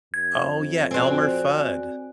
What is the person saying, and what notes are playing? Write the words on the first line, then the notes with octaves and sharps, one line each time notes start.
Oh yeah, Elmer Fudd.
F2 G#6
C4 F#4 C5 D5 G#5